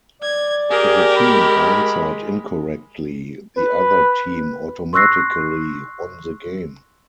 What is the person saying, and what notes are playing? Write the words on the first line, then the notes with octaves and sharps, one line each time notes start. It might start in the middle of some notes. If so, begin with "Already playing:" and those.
If a team answered incorrectly, the other team automatically won the game.
D5 G#6
G4 G#4 A#4
G#3 B5
B4
C6 C#6 E6 F#6 A#6 C7